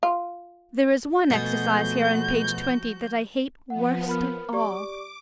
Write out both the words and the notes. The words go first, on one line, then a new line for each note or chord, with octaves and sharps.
There is one exercise here on page twenty that I hate worst of all.
F4
B2 F3 A3 B3 F#4 G#4 G6
F3 B3 F#5
A#4 B5 F6
G4 D5 C#6 D6